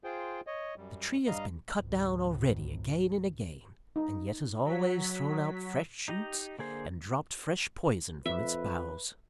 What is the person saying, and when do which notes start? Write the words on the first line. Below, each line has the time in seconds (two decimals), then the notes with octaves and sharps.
The tree has been cut down already again and again; and yet has always thrown out fresh shoots and dropped fresh poison from its boughs.
0.04 F4 G#4 C5 G5
0.47 C#5 D#5
0.77 F#2 G3
1.27 G2 G3 D#5 F5 A#5
1.75 G#1 C#2
3.96 D#4
4.65 F#3 B6
6.08 D#4 G4 D#5 A#5
6.59 D3 A#3 G#4 C5
8.26 F2 B4 E5